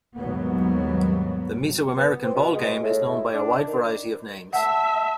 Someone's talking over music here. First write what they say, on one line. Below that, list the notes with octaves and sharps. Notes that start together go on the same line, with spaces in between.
The Mesoamerican ballgame is known by a wide variety of names.
D#2 G#2 F#3 G3 B3
B3
C4
B2
G#3
A2
E4
D4
D#3
E5 F#5 A5